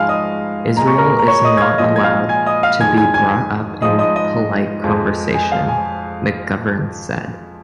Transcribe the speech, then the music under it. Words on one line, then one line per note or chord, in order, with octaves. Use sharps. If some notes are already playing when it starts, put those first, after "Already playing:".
'Israel is not allowed to be brought up in polite conversation,' McGovern said.
Already playing: G#2 F3 G#3 F5 G#5 F6
D#5 D#6
A#2 G#3 A#5
C#6
A#4 A#5
A#5
C#5 C#6
D#5 D#6
G#6
F5 F6
A#2 F3 G#3 D#5 D#6
G#6
F5 F6
G#5 G#6
D#5 D#6
F5 F6
F2 D#3 G#3 G#5 G#6
G#5 G#6
G#5 G#6
G#2 F3 G#3 D#5 D#6
D#5 D#6
D#5 D#6
F2 F3 G#3
G#5
F5
G#5